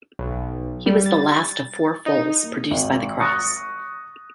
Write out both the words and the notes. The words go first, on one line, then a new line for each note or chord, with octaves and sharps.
He was the last of four foals produced by the cross.
B1
G3
A6
D#4
A#3
G#1 F#7
C#6 D#6 F#6 A6 A#6 C#7